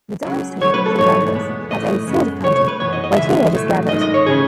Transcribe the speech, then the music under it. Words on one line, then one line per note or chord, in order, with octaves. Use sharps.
The dime store, she remembers, had a soda fountain, where teen-agers gathered.
C#2 C#3 F#3
B1 A2 F#3 A3 C#5
B4
A4
G#2 E3 A3 C#5
E2 B2 G#3 B3
A2 E3 A3 D#5
F#2 C#3 G#3 B3
B1 B2 A3 C#5
C#5
B4
F#2 E3 B3 C#5
D#5
D#5
D#2 C#3 E3 G#3 E5
A2 F#3 A3
G#2 D#3 G#3 D#5
D#5
C#5
C#3 E3 A3 G#4